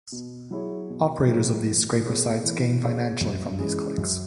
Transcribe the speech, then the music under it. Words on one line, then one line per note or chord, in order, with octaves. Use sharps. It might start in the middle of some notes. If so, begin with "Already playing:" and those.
Operators of these scraper sites gain financially from these clicks.
B2
F#3 E4 G#4 C#5
B2
F#3 E4 G#4 C#5
E3
B3 G#4 C#5
E3
B3 G#4 C#5
F#2
E3 G#3 C#4 G#4
F#2